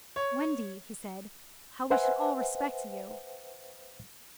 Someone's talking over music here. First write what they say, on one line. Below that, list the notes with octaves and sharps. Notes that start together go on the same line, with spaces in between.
"Wendy," he said, "how we should all respect you."
C#5
B4 C5 E5 F#5 G#5